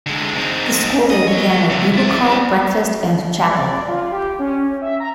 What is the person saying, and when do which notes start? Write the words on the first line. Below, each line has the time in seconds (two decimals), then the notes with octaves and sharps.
The school day began with bugle call, breakfast, and chapel.
0.06 D3 G#3
0.35 C4 D#4
1.10 D#5
1.28 F4 C#5
1.70 C#2 C3
1.94 E4 D5
3.49 D5
3.87 F4
4.12 G4
4.39 C#4
4.82 E5
5.00 A#5